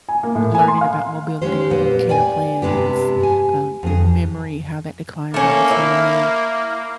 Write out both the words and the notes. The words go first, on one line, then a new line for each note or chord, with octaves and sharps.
learning about mobility, care plans, uh, your memory, how that declines over time,
G#5
A#3
A2
G#5
C6
F5
G#3 C#4 G4 C5
A#2 G3 B3
D5 G5 G#5
G2 C3 G#3 B3 G4
G#5
F2 G#4
A3 A#3 C#4
E4